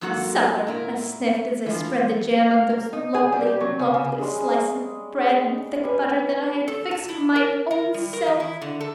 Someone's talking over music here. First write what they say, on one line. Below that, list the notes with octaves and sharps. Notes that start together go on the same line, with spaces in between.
"Supper," I sniffed, as I spread the jam on those lovely, lovely slices of bread and thick butter that I had fixed for my own self.
G#2 F#3 A#3 F#4 A4 F#5
A#2 E4 A#4
E3 F3
F5
A#4
D#4
G#4
G3
G4
F#3
C#3
C#3
G3 G#3 C#4 G#4
G3 B4 G#5
A4
A5
E4
A#4
A#4
G3
A#4
E2
E4
D3
A4